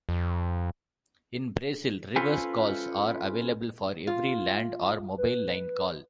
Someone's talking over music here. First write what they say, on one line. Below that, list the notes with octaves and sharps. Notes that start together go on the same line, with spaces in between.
In Brazil, reverse calls are available for every land or mobile line call.
F2
C#4 F4 A4 B4 C5 G#5
F4
B4